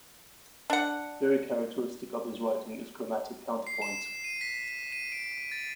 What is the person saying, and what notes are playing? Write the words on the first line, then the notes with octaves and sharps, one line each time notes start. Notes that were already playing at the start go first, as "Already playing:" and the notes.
Very characteristic of his writing is chromatic counterpoint.
D4 F#5
C7
E7
D#7
B6
D#7
D7
A6